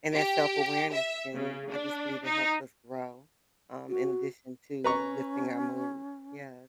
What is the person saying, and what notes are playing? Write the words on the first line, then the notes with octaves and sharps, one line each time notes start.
And that self-awareness can I just believe it helps us grow, um, in addition to lifting our mood, yeah.
G4
E5
C#3
D4
D#4
F#4
C#4 B4 A#5 C#6